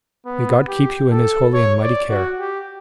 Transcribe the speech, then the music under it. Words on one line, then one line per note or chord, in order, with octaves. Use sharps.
May God keep you in His holy and mighty care.
B3
G4
A4
C#5
D5
F#4
G4